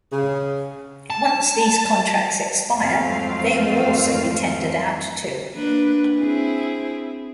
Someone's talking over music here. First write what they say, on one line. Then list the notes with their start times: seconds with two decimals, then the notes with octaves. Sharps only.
Once these contracts expire, they will also be tendered out too.
0.12 C#3
1.10 A5
2.77 F2 G#2 F#3 A3 C4 F5
5.55 A#3 D4 B4
6.18 C4 E4 G#4